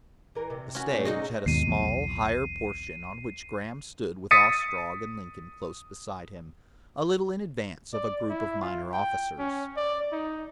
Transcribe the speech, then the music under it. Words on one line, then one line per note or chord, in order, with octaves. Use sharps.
The stage had a small higher portion on which Graham stood with Ostrog and Lincoln close beside him, a little in advance of a group of minor officers.
E3 A#4
C3
C#4 F#4
A#2 A3 C#5
C3 D#4 F#4 G#4 D#5
D#2 G#2 B2 C7 D#7
B1 E2 C3
D#6 A6 B6 C#7 D#7
D5
E4
F4
G5
C#4
D5
D#4